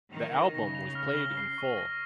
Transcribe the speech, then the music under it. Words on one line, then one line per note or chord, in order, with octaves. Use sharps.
The album was played in full.
D#3 F7
A#6
C#3 A#6
F7
F6
G7
C7
C#6
A#6